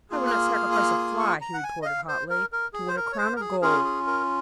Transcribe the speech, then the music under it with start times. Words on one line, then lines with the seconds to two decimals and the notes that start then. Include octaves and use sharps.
"I would not sacrifice a fly," he retorted hotly, "to win a crown of gold!"
0.10 A#3 F4 G#4
0.27 F#6
0.32 F6
0.54 F6
0.72 D#6
0.75 F6
0.98 D#6
1.19 C#6
1.41 A#5
1.54 F#5
1.63 G#5
1.82 D#5
1.85 F5
2.08 C5
2.30 A#4
2.52 A#4
2.73 G#4
2.88 C5
2.96 A#4
3.12 C#5
3.18 C5
3.36 A#4
3.41 G#4
3.62 C#4 F4 G#4 A#4
3.84 G#4
4.07 A#4